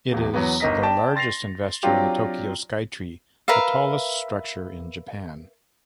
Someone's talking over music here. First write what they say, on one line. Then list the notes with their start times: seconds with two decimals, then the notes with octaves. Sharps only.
It is the largest investor in the Tokyo Skytree, the tallest structure in Japan.
0.12 D#1 E2
0.33 E2 F#3 B3
0.60 G1 D#4 A#4 D#5 A#6 B6
0.82 D5 G5 A5
1.16 C6 A6 A#6 C7 F7
1.83 F#3 C4 D4 F4 G4
3.48 A#4 B4 E5 F5